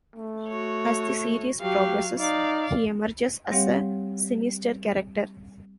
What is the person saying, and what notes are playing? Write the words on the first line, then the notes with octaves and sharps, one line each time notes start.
As the series progresses he emerges as a sinister character.
A3
F#4 C#5
F#3 G4 F5
D#4 D5 F5
G3 C4 G4 C#5 F5 F#5